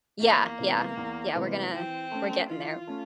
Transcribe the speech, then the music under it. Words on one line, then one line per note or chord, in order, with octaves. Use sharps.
Yeah, yeah, yeah. We're gonna we're getting there.
E2 A#3
C3 E3 G#3 B3
E2
C3 E3 G#3 B3
E3 C4
A3 C#4
E3 F4
A3 C#4